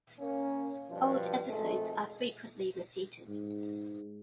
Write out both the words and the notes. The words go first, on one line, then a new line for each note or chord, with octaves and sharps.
Old episodes are frequently repeated.
A#3 C#4
G2 B2 F3
G#1 F2 G#3 A3 A4
G#2